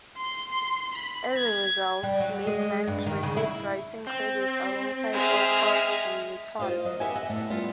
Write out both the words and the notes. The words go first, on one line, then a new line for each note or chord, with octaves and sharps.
As a result, Maidment received writing credit alongside Allcroft and Mitton.
C6
B5
G#6
G3
F#3
G#3
G2
D#3
C#3
E4
C4
G#3 G#4 E5 F6
F4 C5 D#5 F5
F#3 D#5
G4 B4 E5 F#5 G#5
D#5 E5 F#5
A2 B3 E5
G3 B3 F4